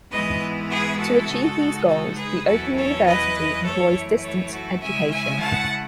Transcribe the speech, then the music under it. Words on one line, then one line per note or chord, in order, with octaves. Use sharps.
To achieve these goals, the Open University employs distance education.
G#2 E3 G#3 B3 E4 B4 D#5
G#4 B4
F#4 A4
C#3 G#3 D#4
F#4 A4
G#4 B4
E2 B2 F#3 C#4 E4 F#4 A4
A4 C#5
B4 D#5
F#2 E3 A3 E4 A4 C#5
A4 C#5
F#4 A4
C#3 G#3 C#4 E4 E5 G#5
E5 G#5
F#5 A5